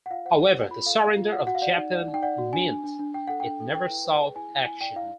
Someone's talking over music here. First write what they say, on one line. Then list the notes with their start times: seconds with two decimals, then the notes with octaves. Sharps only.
However, the surrender of Japan meant it never saw action.
0.06 F#5
0.10 F4 F5
0.25 C5 F#5
0.41 C5
0.56 F4
0.71 F4 B5
0.86 A4 F5
1.02 A4
1.17 F4
1.32 F#4 F#5
1.47 F#4 F#5
1.55 F5
1.62 D5 F#5
1.77 D#4
1.92 D5
2.08 D#4
2.14 G5
2.22 D5 F#5
2.38 F#4
2.53 D4 G#5
2.69 D4
2.84 D4
2.99 D4
3.14 D4 G5
3.28 A4 F#5
3.40 D4 G5
3.60 A4
3.74 B4 G5
3.90 E4
4.05 B4
4.20 G#4
4.36 E4 G#5
4.50 E4
4.65 E4 G#5
4.81 D5 G5
4.96 E4 F5